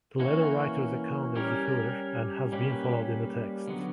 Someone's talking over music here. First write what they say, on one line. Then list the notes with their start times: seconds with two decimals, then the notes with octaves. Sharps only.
The latter writer's account is the fuller, and has been followed in the text.
0.19 E3 A#3 C#4 F#4
1.36 G3 C#4 G4 A#4
2.52 G3 A#3 C#4 G4 B4
3.68 D3 F#3 B3